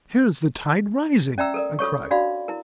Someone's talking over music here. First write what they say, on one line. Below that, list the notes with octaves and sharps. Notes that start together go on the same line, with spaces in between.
"Here is the tide rising," I cried.
C#4 D5 E5 G5 A#5 E6
A4 A#4 D5
F4 A4 C#5 C#6
D4 F#4 D5 F5 B5
E4 A#4